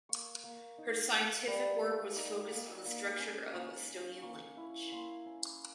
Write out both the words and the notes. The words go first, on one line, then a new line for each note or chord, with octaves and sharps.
Her scientific work was focused on the structure of Estonian language.
A#3 C#6
A#3
D#4
A#3
G3
A#3
D#4 D6
A#3
A#3
C#4
A#3 C#6
C#4
A#3 C#6
E4
A#3 C6
C#4